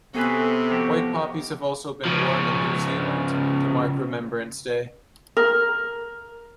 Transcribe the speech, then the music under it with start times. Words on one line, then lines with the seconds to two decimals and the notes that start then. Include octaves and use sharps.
White poppies have also been worn in New Zealand to mark Remembrance Day.
0.15 C3 B3 F#4 G#4 A4 B4
0.71 F3 F#4 G4
2.05 C#3 F3
5.37 A#4